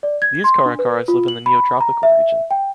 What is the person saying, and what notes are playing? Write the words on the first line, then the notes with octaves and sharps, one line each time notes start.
These caracaras live in the neotropical region.
D5
G#6
C6
D4
B4
F4
F#7
B5
A#5
E5
G5